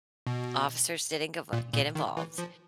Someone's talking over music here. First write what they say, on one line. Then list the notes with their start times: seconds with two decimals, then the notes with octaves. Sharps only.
officers didn't get vo get involved,
0.27 B2
1.53 A#2
1.74 A#2
1.95 D#3
2.17 E3
2.38 F3